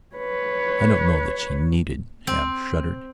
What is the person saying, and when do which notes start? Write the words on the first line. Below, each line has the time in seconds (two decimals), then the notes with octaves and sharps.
I don't know that she need have shuddered.
0.16 B4 C#5
2.27 C4